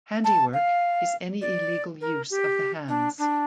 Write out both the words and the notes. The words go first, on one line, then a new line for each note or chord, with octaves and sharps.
"Handiwork" is any illegal use of the hands.
A5
F5
D5
A#4
G4
D4
D4